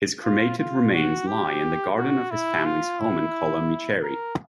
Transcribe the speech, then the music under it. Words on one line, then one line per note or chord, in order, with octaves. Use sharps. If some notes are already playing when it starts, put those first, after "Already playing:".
His cremated remains lie in the garden of his family's home in Colla Micheri.
F4
F4
F#4
G4
F#4
E4
F4
E4
A#4